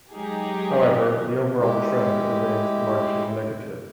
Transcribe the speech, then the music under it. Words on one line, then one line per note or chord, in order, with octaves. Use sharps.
However, the overall trend remains largely negative.
F#3 G#3 D#4 G4 G#4
G#3 E4 G4